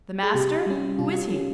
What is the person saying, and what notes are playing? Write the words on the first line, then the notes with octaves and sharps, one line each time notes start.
"The master?--who is he?"
G#4
C3 G4
G3 C#4
C3 F4
G3 C#4